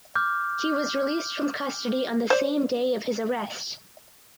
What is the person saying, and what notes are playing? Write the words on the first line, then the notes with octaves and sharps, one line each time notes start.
He was released from custody on the same day of his arrest.
D6 F6 G6
C5 D5